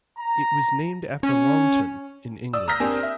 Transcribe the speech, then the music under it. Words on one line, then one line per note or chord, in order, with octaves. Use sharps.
It was named after Longton, in England.
A#5
C#4
D5 D#6 E6
A#5 D#6 F6 G6 A#6
C4 D4 G4 A#4 C5 G#5
E5